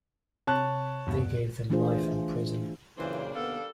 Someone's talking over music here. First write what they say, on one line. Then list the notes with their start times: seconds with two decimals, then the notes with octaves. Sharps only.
They gave them life in prison.
0.47 C3 C#5 A5 F#6
1.07 E2 G2 B2
1.70 E3 A3 D4 F4 G#4 C5
2.98 F#2 A#2 C#3 E3 G3 A#3 D4 C5
3.35 D#2 C3 B3 A4 F5